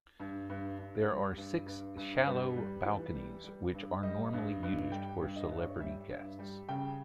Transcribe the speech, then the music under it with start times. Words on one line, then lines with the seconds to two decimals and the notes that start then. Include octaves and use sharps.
There are six shallow balconies which are normally used for celebrity guests.
0.20 G2
0.50 G2
0.79 G2
1.09 G3
1.37 G2
1.67 G2
1.97 G2
2.26 G3 B4
2.56 G3
2.86 E3
3.15 G3
3.44 G3
3.74 G2
4.03 G3 D#5
4.33 G2
4.63 G2
4.92 G3 G5
5.22 G2
5.36 D#5
5.50 G2
5.58 C#5
5.80 G3 E5
6.09 G2
6.39 G3
6.69 C#3 G5